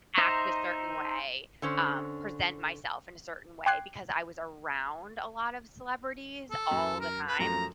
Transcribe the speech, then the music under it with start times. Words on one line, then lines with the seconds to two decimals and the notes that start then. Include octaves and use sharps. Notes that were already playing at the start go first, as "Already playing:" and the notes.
act a certain way, um, present myself in a certain way, because I was around a lot of celebrities all the time,
0.18 D#4 C5 E5 A#5
1.62 D3 C#4 C5
3.66 G5 C6 D6 F#6 G#6 C7
6.51 A4
6.71 F#2
7.00 A#4
7.27 B4
7.39 F#2 F3 A3 A#5